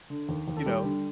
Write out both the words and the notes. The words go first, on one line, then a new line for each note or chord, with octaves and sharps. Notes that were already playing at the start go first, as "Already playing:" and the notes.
you know,
D3
D#2
D#2
A4
G3 G4
D3